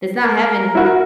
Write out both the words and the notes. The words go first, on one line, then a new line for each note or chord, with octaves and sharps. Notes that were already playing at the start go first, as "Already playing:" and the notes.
It's not heaven.
A#4
E4 F#4